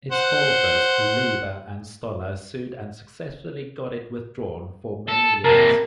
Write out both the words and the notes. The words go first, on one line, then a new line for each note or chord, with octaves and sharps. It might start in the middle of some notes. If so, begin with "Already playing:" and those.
Its authors, Leiber and Stoller, sued and successfully got it withdrawn for many years.
C5 F#5
A4
C3 A#3 A#4 A5